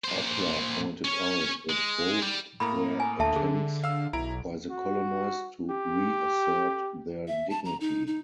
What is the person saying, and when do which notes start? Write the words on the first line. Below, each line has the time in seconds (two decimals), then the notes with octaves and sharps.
Opler pointed out that both were attempts by the colonized to reassert their dignity.
0.04 A#2 C5
1.04 C#4 C#5
1.69 G#3
2.22 G3
2.60 A2 A#3 A#5 B5
3.00 G#5
3.19 D2 A4 E5 A5
3.36 D3 G#4
3.84 F5 E6
4.13 B1 E4 A#5 D7
4.71 F#4
5.70 G4
7.28 E5
7.50 A5
7.65 A#5
7.80 D#4
8.07 D#4